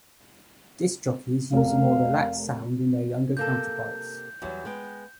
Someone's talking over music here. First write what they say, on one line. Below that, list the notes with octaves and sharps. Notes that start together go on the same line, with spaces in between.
Disc jockeys use a more relaxed sound than their younger counterparts.
F1 A#4 F5
C3 A#3 A4 G6
E2 F#3 G3
G#3 B3 G5